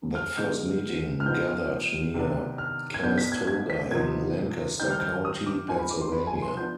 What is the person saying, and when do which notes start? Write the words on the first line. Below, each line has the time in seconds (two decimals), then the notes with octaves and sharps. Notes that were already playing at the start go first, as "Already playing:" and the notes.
That first meeting gathered near Conestoga in Lancaster County, Pennsylvania.
0.15 F6
0.37 D3 G#3 B3 D#4 G6
1.20 F6
1.26 F3 B3 D#4 G6
1.48 F6
2.14 C3 D#3 B3 D4
2.58 F6
2.94 G#6
3.03 B2 B3 D4 G6
3.18 B6
3.32 G#6
3.47 G#6
3.70 B6
3.91 C3 F3 B3 D#4 G#6
4.80 D#3 G3 C4 D#4 G6
4.91 F6
5.00 G6
5.25 D#6
5.46 D6
5.68 F3 C4 D#4 G#5
5.79 B5
5.90 D6
6.01 C6
6.12 B5
6.27 G#5
6.42 C6
6.57 F3 B3 D4 G6